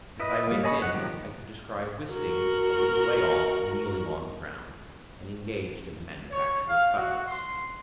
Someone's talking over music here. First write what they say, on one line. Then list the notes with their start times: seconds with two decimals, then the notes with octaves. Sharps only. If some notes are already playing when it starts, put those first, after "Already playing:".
As I went in, I could descry Wisting a little way off kneeling on the ground, and engaged in the manufacture of cutlets.
0.20 E4 B4 D#5
0.47 G3 A#3
0.63 C#5 D#5 G#5 B5 C#6
0.82 F#5
0.94 D#3 F3 F#3 G4
2.13 F#4 A#4
6.31 C#5
6.68 F5
6.98 F#4
7.27 C6